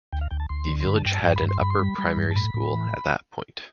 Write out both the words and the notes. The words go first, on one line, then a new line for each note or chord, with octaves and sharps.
The village had an upper primary school at that point.
D2 G5
F5
D2 G5
A5
D2 C6
D3
C6
G2 B5
A5
G2 G5
A5
G2 G5
B5
G2
C6
G2 B5
C6
G3 B5
G3
G2
A5
A2 B5
A2
E3